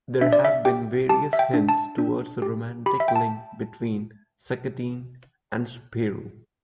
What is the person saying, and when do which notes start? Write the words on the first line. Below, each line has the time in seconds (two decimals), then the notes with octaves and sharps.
There have been various hints towards a romantic link between Seccotine and Spirou.
0.21 D4 E5
0.33 D5
0.45 E5
0.65 G4 G5
1.09 G4 A5
1.33 E5
1.39 G5
1.54 D4
1.69 A5
1.98 D4
2.42 G4
2.86 G4 B5
3.00 E5
3.08 G5
3.16 A5